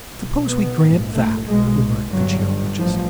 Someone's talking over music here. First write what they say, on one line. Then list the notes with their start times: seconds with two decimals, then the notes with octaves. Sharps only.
"Suppose we grant that," remarked the geologist.
0.15 B1 B2
0.47 B3
0.81 A#1 G#2
1.13 A3
1.47 B1 B2 G#3
2.12 G1 G2 F#3
2.79 A1 F3